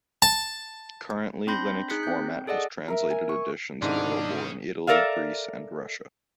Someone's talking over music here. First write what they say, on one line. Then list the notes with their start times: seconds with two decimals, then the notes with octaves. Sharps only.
Currently Linux Format has translated editions available in Italy, Greece and Russia.
0.22 A5
1.47 C4 D4 B5 C6 G6 A#6
1.90 D#4 G#4 F#6 B6 C#7
2.03 C4 G6
2.47 G#4 A4 D5 D#5 F#5
2.88 A#4 E5
3.11 G#5
3.29 C#6
3.82 G#2 C3 D#3 C#4 D4 E4 G#4
4.87 A4 A#4 D5 E5 F5